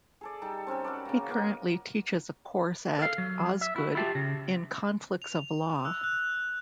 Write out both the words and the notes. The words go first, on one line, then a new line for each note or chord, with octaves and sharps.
He currently teaches a course at Osgoode in conflicts of law.
G#4 A4 D5
G3 D#4 A4 A5
C4 C#4 D#4 A4
F#4 A#4 B4 D5
C#3 A#3
A#3 B3 A#4 D#5
A4 F5
F#3
E5
E4 F#4
E4 F4 G4 E5 A5
C#3
F7
E6 F#6
F#6